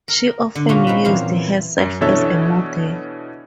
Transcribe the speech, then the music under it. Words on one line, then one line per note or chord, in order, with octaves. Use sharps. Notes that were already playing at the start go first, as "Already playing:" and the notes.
She often used herself as a model.
A#4
D3
A#2 A#3 C#4 F4 F#4
C4 D#4 B4
E2 A#2 E3 F#3 C5 F5
F#2
B2 E3 D4 A4 C#5 E5